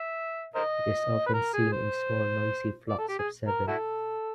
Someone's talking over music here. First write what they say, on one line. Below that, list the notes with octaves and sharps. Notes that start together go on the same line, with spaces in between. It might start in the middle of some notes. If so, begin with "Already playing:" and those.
It is often seen in small noisy flocks of seven.
Already playing: E5
A#4 C5 D#5
B4
A#4
G#4
C5
D5
A4
G4
G#4
A#4
E4 F#4 A4